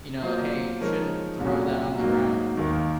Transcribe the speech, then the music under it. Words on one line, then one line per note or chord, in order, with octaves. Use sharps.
you know, "Hey you shouldn't throw that on the ground,
F#3 A#3 F4 C5
F3 G#3 D#4 A#4 C#5
C2 A#2 F#3 C#4 F#4
G#2 F#3 A#3 D#4 F#4
D#2 D#3 A#3